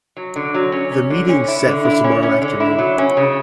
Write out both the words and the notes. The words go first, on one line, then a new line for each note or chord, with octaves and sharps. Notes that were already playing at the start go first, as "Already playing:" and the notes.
The meeting's set for tomorrow afternoon.
F#3
D3
F#3
C#4
C#4
D3
C#4
E4
D3
E4
C#4
C#4
D3
E4
F#3
C#4
C#3